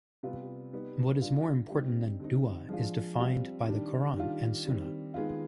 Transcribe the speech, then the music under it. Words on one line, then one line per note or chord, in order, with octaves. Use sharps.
What is more important than du'a is defined by the Quran and Sunnah.
C3 G3 B3 F4
G3 B3 D#4
D3 G3 D4 F4
G3 C4 D#4
D3 G3 C4 D#4
F3 G#3 D4 F4
G3 C4 F4
D#3 G3 D4
D#3 G3 D4 F4
D#3 G3 C4
D#3 G#3 B3 F4